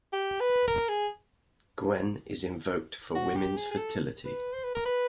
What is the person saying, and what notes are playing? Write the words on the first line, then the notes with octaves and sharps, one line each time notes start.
Gwen is invoked for women's fertility.
G4
B4
A#4
G#4
F#4
G4
G#4
G#4
A4
B4
C5
B4
A#4
B4